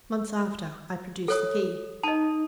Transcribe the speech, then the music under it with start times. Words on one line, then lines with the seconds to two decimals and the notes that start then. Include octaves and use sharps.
Months after I produced the key.
1.28 A4 C#5 D#6
2.03 D#4 D#5 A5